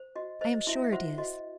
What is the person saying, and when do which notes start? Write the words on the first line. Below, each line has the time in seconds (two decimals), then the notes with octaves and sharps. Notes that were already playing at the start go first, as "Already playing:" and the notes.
"I am sure it is."
Already playing: C5
0.16 F#4 D#5
0.41 C5 D#5
0.67 E4 F#4 E5
0.84 E5
0.92 F#4 C5 F#5
1.18 F#4 D#5